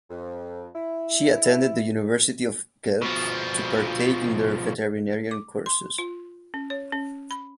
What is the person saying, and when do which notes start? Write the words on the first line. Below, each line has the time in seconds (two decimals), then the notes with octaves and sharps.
She attended the University of Guelph to partake in their veterinarian courses.
0.10 F2
0.75 E4
3.02 B2 F3
5.31 D6
5.66 C6
5.98 F4
6.54 C#4
6.70 C#5
6.93 C#4
7.31 B5